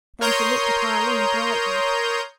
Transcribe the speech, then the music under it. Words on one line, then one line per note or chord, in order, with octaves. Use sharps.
Then she looked at Arline brightly.
A#4 C#5 A#5 C6 D#6 G6